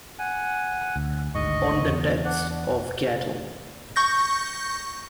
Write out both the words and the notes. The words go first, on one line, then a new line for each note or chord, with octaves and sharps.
On the Deaths of Cattle.
F#5 G#5
D2
G#1 D2 G#2 D#5 C#6
E2
D4 F#5
D4
C#6 G6 A#6